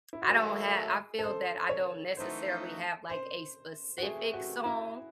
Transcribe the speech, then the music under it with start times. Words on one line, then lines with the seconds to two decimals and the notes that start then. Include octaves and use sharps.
I don't ha I feel that, I don't necessarily have, like, a specific song,
0.13 E4
0.22 F#4
0.30 G#2 D#3 F#3 A3 G#4
1.19 A4
1.23 C5
1.70 C#5
2.16 F#2 E3 A3 D#4 F#4 C5
3.09 C5
3.98 F#4
4.03 C3 E3 A3 G#4
4.34 F#4
4.65 E4